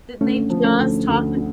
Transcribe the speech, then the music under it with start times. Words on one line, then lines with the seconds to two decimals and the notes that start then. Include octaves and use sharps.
Didn't they just talk
0.21 D3 A3 C#4
0.50 F3
0.64 A3 C#4
0.79 D2
1.08 D2
1.37 D3